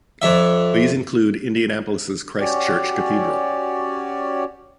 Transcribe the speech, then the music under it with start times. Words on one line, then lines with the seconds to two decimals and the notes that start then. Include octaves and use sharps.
These include Indianapolis's Christ Church Cathedral.
0.22 F2 D4 E5
2.39 C#4 F#4 G4 C#5 D5